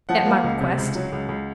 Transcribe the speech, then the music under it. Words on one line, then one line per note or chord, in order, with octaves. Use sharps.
At my request.
F3 F#5
A#3
C#2
C3
C#2
F#3
C#2
C#2